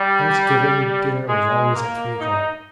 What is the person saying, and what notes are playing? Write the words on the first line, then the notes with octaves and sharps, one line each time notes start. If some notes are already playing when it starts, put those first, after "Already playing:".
Thanksgiving dinner was always at three o'clock.
Already playing: G3
G#3
A#3
D#4